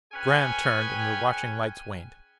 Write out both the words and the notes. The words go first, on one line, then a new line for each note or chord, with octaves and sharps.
Graham turned, and the watching lights waned.
C#4 G#4 B4 G5 G#5